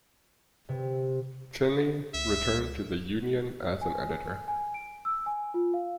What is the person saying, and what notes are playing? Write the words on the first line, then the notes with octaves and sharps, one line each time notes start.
Cheney returned to the "Union" as an editor.
C3
C#2 E5
G#5
G#5
D7
E6
G#5
F4
F5